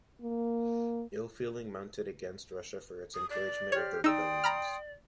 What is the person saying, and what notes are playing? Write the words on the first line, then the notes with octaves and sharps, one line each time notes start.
Ill feeling mounted against Russia for its encouragement of the rebellions.
A#3
D#6
D5
G4 C5 C#5 F6
D#4 D5 G5 C6 D#6 E6
A#5 B5 F6